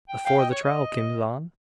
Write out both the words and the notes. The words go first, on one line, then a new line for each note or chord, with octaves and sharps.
"Afore the trial kims on."
G5
F5 G5
D#5
C#5
D#5